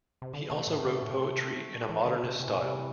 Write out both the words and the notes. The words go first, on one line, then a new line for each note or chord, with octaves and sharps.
He also wrote poetry, in a Modernist style.
C3
D3
C3 A3
C4
A2
A3
D3
C3
A2
C3
E3
D3
C3
C3 E3
A2
C3 E3
G3